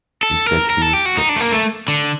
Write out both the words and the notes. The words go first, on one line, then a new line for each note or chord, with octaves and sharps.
She said she was sick.
A4
A#4
A#4
A4
G4
F#4
D#4
D4
A3
A#3
A3
D3